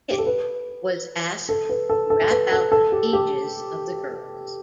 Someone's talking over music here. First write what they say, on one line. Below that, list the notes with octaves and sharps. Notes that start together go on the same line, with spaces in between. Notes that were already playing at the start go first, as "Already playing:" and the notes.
"It" was asked to rap out the ages of the girls.
G4
A4
B4
A4
B4
A4
A4
A4
B4
A4
A4
G4
G4